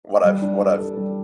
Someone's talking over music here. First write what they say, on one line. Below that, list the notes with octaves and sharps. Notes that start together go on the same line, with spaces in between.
what I've what I've
G3
D4
D5
A4
G3